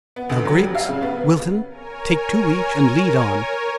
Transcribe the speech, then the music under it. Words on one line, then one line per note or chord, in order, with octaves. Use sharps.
Now, Griggs--Wilton; take two each, and lead on.
B3
D2
F#3
G3
F5
C#3
B3
A#4 C#5 G#5